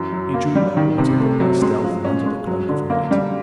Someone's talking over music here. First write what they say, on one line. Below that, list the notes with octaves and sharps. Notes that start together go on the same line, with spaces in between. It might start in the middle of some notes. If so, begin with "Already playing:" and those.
He drew no water but by stealth and under the cloak of night.
Already playing: F#2 E3
F#3
A#3
G3
D#3
C3
A3
F#3
G#3
F3
C#4
G#3
F#3
D3
A#3
G3